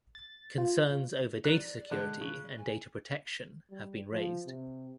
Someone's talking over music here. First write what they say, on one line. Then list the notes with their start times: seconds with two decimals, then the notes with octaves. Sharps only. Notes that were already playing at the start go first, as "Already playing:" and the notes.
Concerns over data security and data protection have been raised.
0.15 A6
0.58 F4
1.45 D5 F#6
1.91 D3 G#3 F#6
2.21 C#3
2.58 G#5
3.70 G3
4.12 F3
4.46 C3